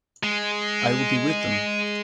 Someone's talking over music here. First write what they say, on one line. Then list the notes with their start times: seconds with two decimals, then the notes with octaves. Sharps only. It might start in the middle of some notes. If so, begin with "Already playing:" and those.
I will be with them.
0.23 G#3